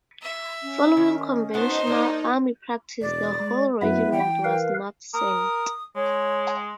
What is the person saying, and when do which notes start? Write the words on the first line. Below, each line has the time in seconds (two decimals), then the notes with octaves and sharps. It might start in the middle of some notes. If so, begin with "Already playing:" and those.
Following conventional army practice the whole regiment was not sent.
0.22 E5
0.62 C#4
0.97 D#3
1.54 A3 B3 D#4 F#4 C5
1.87 A#3 D4
3.01 E1 D5
3.40 G#3
3.82 F#2 B3 E4 B4 E5
4.12 E3 G5
4.44 A#4 B4 F5
5.14 A#4 D#6
5.95 G#3 C#5